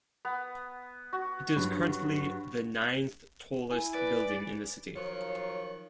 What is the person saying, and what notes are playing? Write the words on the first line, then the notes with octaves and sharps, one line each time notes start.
It is currently the ninth tallest building in the city.
B3
F#4
G2 F#3
E4 G#5
B4 D5
D#3 F3 F#3 F4 C#5